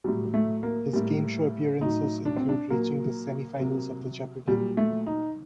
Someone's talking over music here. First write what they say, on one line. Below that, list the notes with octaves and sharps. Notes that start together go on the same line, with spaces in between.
His game show appearances include reaching the semi-finals of the Jeopardy!
A2 F#3 G3
A3
A#3
A2 G3
A2 F#3 D#4
D4
C4
D4
A#2 F#3 A#3
C3 F#3
A#2 F#3 G3
A3
D#4